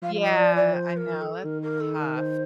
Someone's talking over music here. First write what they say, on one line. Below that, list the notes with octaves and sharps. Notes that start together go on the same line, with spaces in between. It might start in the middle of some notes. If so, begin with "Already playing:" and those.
Yeah, I know, that's tough.
F3 F5
F5
D#5
D5
D5
C5
A#4
A4
D#3 A#4
A#4
A4
A#4
C5